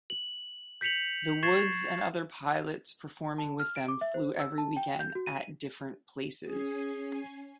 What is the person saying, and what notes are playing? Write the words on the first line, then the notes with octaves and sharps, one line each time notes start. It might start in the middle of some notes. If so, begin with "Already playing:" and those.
The Woods and other pilots performing with them flew every weekend at different places.
F#7
G6 B6 C#7 F7 F#7
C#6 G#6 A6 C7 E7
A5
F6
D7
D6
E5
C5
E6
A5
G5
G6
F#4
D#7
C#4 G#4 G#5 C7